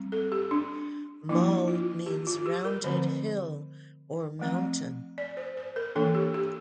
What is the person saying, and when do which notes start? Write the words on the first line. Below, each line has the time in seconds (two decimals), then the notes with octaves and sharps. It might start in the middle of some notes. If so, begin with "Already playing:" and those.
Mull means rounded hill or mountain.
Already playing: G3 C4
0.12 A4
0.32 G4
0.51 D4
1.29 F3 A#3 D4 E4
1.68 F4
2.06 G4
2.27 F4
2.46 G4
2.65 A#4
2.84 D3 F3 A3 C4 C5
4.39 F3 A3 C4
5.18 D5
5.37 C5
5.57 C5
5.76 A#4
5.95 E3 A#3 D4 A4
6.15 G4
6.34 G4